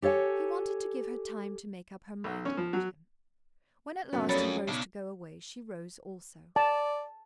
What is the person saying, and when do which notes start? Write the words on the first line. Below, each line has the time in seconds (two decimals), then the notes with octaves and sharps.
He wanted to give her time to make up her mind about him. When at last he rose to go away, she rose also.
0.02 G4 A4 C#5 E5 G#5
2.24 B1
2.45 C#4
2.57 F3
2.73 F#3
4.13 C#2 F#2 A#2 B3
4.29 F2 F#3 G3 A3 C#5 B5 A6
4.68 B1 C#3 B3 D4
6.56 D5 A5